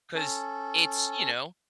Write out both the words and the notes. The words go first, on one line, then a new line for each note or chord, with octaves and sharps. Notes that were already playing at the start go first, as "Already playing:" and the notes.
'cause it's, you know,
C#4 A4